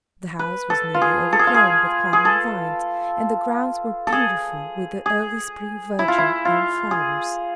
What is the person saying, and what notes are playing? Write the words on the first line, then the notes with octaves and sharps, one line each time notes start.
The house was nearly overgrown with climbing vines, and the grounds were beautiful with the early spring verdure and flowers.
B4
A4
F4
G#4
A4
G#4
F4
G#4
G#4
A4
A4
G#4
G#4
E4
F4
E4
F4
G#4